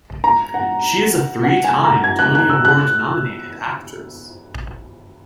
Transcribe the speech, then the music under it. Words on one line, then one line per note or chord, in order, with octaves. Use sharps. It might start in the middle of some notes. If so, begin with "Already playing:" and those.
She is a three-time Tony Award-nominated actress.
A#5
F#5
F#5
G#5
A#5
G#6
F#6
F#6
E6
F#6